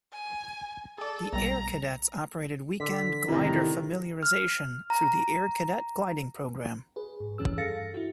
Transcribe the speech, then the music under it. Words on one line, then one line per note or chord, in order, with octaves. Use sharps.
The Air Cadets operated weekend glider familiarization through the Air Cadet Gliding Program.
G#5
G#4 A4 D5
B1 G3 A#5
D3 B6
A1 F2 C3 D#3 E4 A#5
F6
A#5
G#4 B4
G#2
F2 E3 C#4 G#4 E6
G2 A4 F5 A6 A#6 C#7
E4 F#4